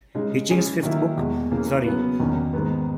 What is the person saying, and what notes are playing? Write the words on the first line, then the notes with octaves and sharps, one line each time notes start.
Hitchings's fifth book, Sorry!
C#3 G#3 D#4
E3 G#3 C#4 G#4
D#3 F#3 A#3 E4
E2 B2 G#3
C#3 E3 A#3
C#3 F#3 B3
E2 D#3 A#3 C#4
G#2 D#3 G#3 B3